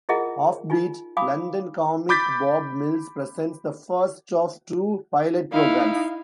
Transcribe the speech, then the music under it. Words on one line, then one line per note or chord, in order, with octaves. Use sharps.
Offbeat London comic Bob Mills presents the first of two pilot programmes.
E4 F4 G#4 A#4 D#5 F#5
D#4 F4 G#5
F5 G#5 B5 D6 D#6
B5 D6 G6 A6 B6
D#4 E4 F5